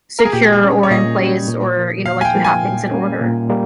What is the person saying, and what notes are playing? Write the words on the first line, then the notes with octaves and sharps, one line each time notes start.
secure, or in place or, you know, like you have things in order.
A#4
G#4
A#2 G4
G#4
G3 C#4
C#5
A#2 D#5
G3 C#4
A#2
F3 A#3
A#2 F5
G#5
G5
F3 A#3
G#5
A#2
G3 A#3 C#4
A#2
G3 A#3